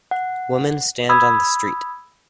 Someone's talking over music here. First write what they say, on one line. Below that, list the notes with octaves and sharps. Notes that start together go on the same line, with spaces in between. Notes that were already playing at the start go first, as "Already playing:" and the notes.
Women stand on the street.
F#5
B5 D#6 E6 G#6